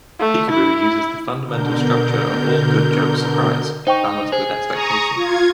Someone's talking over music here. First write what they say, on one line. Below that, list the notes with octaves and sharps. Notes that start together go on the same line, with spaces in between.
Peekaboo uses the fundamental structure of all good jokes-surprise, balanced with expectation.
A3
E4
B2 D3 A#4 G6
D#4 C5 G5 C#6
G#4 C5
A#5 C#6 D#6
F4 C#6 G#6